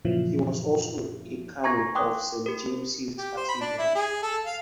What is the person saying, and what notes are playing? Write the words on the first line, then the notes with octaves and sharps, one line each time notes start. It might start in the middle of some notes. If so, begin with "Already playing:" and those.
He was also a canon of Saint James' Cathedral.
F#2 A#2 C#3 E3 F3
G#5 A#5 C#6 G#6 A#6
G5 C6 D6 D#6 F#6
G4 A#4
G4
C5
B5
D4
E4
G#4
A4
F5